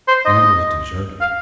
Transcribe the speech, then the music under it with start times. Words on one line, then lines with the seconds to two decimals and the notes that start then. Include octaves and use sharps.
And it was deserted.
0.08 C5
0.25 D#5
1.21 F5